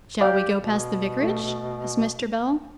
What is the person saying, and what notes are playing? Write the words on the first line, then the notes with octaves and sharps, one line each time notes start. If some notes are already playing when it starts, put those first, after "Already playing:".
'Shall we go past the vicarage?' asked Mr. Bell.
G4 D5 F5 G5
B2
A3